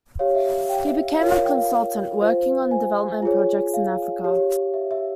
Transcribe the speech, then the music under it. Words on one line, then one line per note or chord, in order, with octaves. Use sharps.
He became a consultant, working on development projects in Africa.
G4 C#5 F5
E5
F5
G5
E5
F5
F4 A#4 C#5 F5
F5
G5
F5
F4 C5
G#5
F4 G#4 C#5
F5
G4 C#5
E5
E5